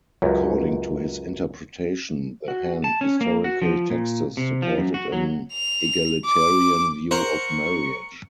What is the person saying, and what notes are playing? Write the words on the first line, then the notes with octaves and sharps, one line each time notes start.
According to his interpretation, the Han historical texts supported an egalitarian view of marriage.
C#2 F#2
F#4
A5
C#4
A#3
F#4
F3
A#2
C3
F3
F#2
F#4
F#3
F7
D6
A#4 C5 F#5 C#6